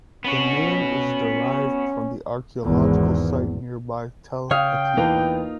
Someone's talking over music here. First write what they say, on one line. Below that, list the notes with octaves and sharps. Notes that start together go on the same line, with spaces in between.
The name is derived from the archaeological site nearby, Tel Katifa.
B3 C#4 F#4
G#1 E2
C#3 C#5 F5 G5 D#6
E2 A#3 D#4 F4 B4 A5